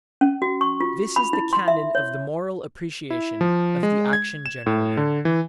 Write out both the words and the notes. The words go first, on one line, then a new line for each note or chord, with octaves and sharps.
This is the canon of the moral appreciation of the action generally.
C#4
F#4
C#6
F4
B5
E4
C6
E5
C#5
E4
F3
G#3
G#6
E7
A2
D3
E3